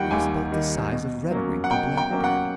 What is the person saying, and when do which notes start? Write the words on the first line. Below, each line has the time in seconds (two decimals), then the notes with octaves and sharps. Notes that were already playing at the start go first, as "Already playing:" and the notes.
It was about the size of Redwing the Blackbird.
Already playing: D#2 D#3 G3 F#5 G5
0.11 D#2 G#5
0.51 D#3 G3
0.91 B2
1.31 F#3 A#3 C#4
1.64 F#5
1.71 B2 G5
1.97 G5
2.10 F#3 A#3 C#4
2.24 F#5